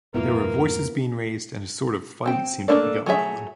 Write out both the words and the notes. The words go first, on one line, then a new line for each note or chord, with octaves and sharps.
There were voices being raised and a sort of fight seemed to be going on...
F2 G#2 B2 A#3 B3 E4 F4 A#4
C4 G5
A3 A#3 D4 A4 D5
F#3 A3 G#4 E5